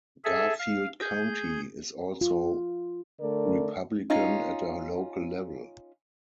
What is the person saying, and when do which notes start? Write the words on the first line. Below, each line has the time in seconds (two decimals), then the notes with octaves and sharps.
Garfield County is also Republican at a local level.
0.24 G#4 A4 E5
0.59 F5
1.01 G#4 G6
2.21 F4
3.20 D3 A3 A#4 D5
4.10 C#4 D#4 F4